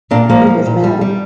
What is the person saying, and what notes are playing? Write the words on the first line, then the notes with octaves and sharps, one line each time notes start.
He was married.
A#2 A#3 D4
F3 A#3
G3
A#2
G3
G3